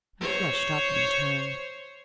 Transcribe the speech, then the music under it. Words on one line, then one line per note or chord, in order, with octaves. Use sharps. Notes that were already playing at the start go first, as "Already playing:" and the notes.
I flushed up in turn.
C5 C#5